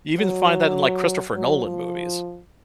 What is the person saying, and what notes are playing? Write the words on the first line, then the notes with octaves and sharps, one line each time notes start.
You even find that in, like, Christopher Nolan movies,
F#3
F#3
F3